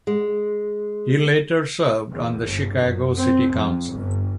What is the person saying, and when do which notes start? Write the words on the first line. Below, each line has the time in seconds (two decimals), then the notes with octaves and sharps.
He later served on the Chicago City Council.
0.07 G#3
2.12 E2
2.42 G1
2.79 F#2
3.19 C4
3.51 F2
3.91 G1